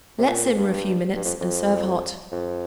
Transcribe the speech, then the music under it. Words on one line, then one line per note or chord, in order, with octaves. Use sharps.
Let simmer a few minutes and serve hot.
C3
A#2
G2
G2
F2
F2
F2